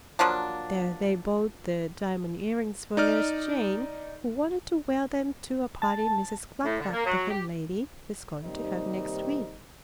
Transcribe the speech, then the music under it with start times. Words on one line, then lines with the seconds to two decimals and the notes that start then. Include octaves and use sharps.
There they bought the diamond earrings for Nurse Jane, who wanted to wear them to a party Mrs. Cluck-Cluck, the hen lady, was going to have next week.
0.19 F3 F#3 A#3 D4
2.97 D#4 D5 F6
5.82 A5
6.63 A2
6.79 D3
6.92 A#3
7.05 F#3
7.29 G4
8.43 D#2 C3 G3 D#4 C5